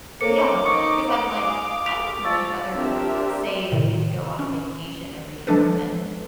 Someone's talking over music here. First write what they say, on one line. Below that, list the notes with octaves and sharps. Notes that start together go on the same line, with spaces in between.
Yeah, 'cause I'm like, "I would much rather save and get to go on a vacation every year than
A#3 A4 A#4 C5 C#5 D6 C#7
D#4 C#6 D#6 C#7
F5
G#5 D#6
B6 D7 F7
F3 C#6 E6 A6
C4 D4 F4 G4 A#4 E5
A2 C3 D#3
C#4
F3 G#3 D4 A4 B4